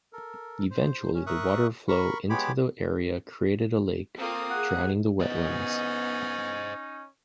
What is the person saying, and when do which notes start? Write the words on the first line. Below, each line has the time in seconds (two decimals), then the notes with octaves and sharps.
Eventually the water flow into the area created a lake, drowning the wetlands.
0.13 A4 A#4
0.71 C5
1.14 C#4
1.27 A#4 E5 C#6 D#6 F#6
1.88 A#4 B5 C#6
2.30 G#3 B3 G4 C#5 B5 D6
4.18 A#3 C4 F4 A4 D#6
4.50 G#4 F#5
5.21 B3 C#4 D#4 C5 D#5